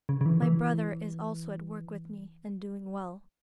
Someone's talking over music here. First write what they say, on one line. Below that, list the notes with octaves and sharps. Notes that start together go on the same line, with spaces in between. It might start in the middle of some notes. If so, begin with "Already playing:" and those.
My Brother is also at work with me and doing well.
C#3
C#3
E3
E3